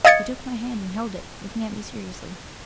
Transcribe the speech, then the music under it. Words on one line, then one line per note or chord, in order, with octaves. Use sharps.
He took my hand and held it, looking at me seriously.
D#5 F5 D#6 G#6 A6 C#7